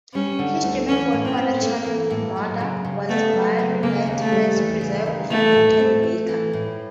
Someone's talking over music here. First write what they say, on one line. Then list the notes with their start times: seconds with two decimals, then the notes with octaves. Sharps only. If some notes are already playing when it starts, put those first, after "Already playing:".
His German-born father, Charles Munder, was Maryland's first preserve and candy-maker.
0.14 G3 C#4
0.39 D3
0.63 D2
0.88 E3 C#4
1.13 A2
1.25 C4
1.37 C4
1.61 A3 A#3
1.86 E3
2.10 A2
2.36 F#3
2.60 C#3
2.85 C#3
3.09 A3 B3
3.33 F#3
3.59 C#3
3.83 C#3 A#3
4.07 D#2
4.20 A3
4.32 G3
4.56 E3
4.81 C#3
5.06 D#2
5.30 E3 A3
5.55 A2
5.80 C4
6.03 A3
6.29 E3
6.53 A2